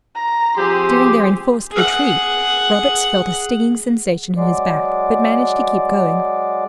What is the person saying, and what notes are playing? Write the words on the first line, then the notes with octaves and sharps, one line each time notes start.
During their enforced retreat, Roberts felt a stinging sensation in his back, but managed to keep going.
A#5
F3 C4 G4 G#4 C6
G#4 F#5
F#3 G#3 D5